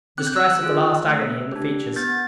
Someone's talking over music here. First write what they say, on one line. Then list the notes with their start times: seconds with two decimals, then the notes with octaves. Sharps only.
The distress of the last agony in the features.
0.18 C4 F#6
0.27 G6
0.36 E6 F#6
0.63 F4 G#4
1.07 A3
1.52 D4 G4
1.96 B3 G6 A6